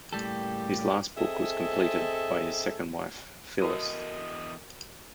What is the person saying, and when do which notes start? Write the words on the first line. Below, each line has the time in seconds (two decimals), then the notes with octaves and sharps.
His last book was completed by his second wife Phyllis.
0.13 A2 C#3 G3 A#3 G4 A4
1.17 C4 G#4 A4 D#5 E5
3.62 E2 F#4 A4 A#4 D#5 D#6